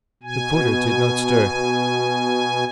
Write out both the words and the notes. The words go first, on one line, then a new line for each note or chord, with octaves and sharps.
The porter did not stir.
B2 G#5